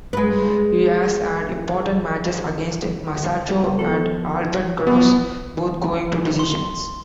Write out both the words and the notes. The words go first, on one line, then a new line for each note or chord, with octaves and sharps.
He has had important matches against Masato and Albert Kraus, both going to decisions.
G#3 B4
C#2 G2
F3 B3 A4
B2 F#3 B3
C6